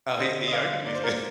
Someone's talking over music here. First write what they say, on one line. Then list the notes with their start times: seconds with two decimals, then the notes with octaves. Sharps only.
Oh, he he argued with you.
0.19 D3 C5 D#5
0.48 D#5
0.52 D3 D5 F5
0.86 A#3 D5
0.95 C5
1.04 A#4 D5